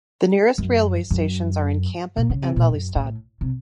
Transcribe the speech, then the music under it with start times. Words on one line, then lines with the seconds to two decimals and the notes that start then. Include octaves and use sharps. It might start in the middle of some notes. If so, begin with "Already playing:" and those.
The nearest railway stations are in Kampen and Lelystad.
0.58 F#2
1.11 F#2
2.17 A#2
2.30 C#3
2.42 C3
2.56 A#2
2.69 F#2
2.96 A2
3.41 C3